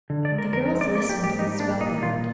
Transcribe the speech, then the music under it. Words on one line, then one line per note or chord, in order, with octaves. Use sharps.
The girls listened, spellbound.
D3
D5
G#3
A#4
F2 A#4
C4
D5
A#3 D5
G4
G#2
G4
G3 D#4
A#3 D4
A#2 D#4
A#2 F4